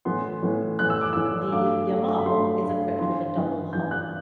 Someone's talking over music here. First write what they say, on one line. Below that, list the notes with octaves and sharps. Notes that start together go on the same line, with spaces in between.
The "Yamal" is equipped with a double hull.
A2 E3 B3 C6
A2 E3 B3
A2 E3 B3 F#6
E6
D6
A2 E3 B3 E6
G2 F#3 A3 D6
G2 F#3 A3
B5
G2 F#3 A3 C6
G2 F#3 A3
G2 E3 B3 C6
G2 E3 B3
G2 E3 B3 G6
F#6